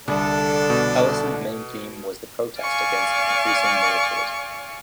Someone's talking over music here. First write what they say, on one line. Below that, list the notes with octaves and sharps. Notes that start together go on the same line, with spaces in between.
Ellison's main theme was the protest against increasing militarism.
C2 D3 D4 A4
B2
D5 F5 G#5 C#6